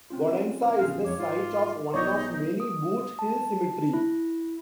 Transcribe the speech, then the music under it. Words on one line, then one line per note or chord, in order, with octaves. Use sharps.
Bonanza is the site of one of many Boot Hill Cemetery.
C4 C#4 F4
A#1 G#4 F5
F2 C#5 D6
G#2 F4
B1 D#4 C#5 D5
D#6
A5
E4